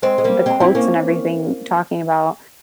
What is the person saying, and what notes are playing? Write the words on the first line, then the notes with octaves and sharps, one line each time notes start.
the quotes and everything talking about,
G#3 C4
G#3
G3 A#3
G#3 C4
C4 E4
A#3 C#4